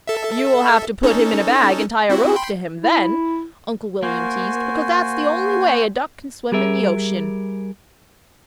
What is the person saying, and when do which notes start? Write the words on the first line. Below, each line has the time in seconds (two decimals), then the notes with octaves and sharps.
"You will have to put him in a bag and tie a rope to him then," Uncle William teased, "because that's the only way a duck can swim in the ocean."
0.07 A4 E5
1.03 C#4 D#4 A4
2.10 C4 E4 F#4
2.36 G5 B5 C6
2.83 E4
4.03 A#3 F#4 C5 G#5
6.52 G3 G#4 A#4 E5